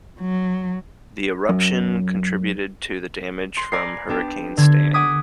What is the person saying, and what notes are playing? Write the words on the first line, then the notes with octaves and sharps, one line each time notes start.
The eruption contributed to the damage from Hurricane Stan.
F#3
F#2
C6
D5 G#5 A#5 B5 C7
B3 D4 G4
D3 G#6
F#5 G#5 D6 D#6 G#6 B6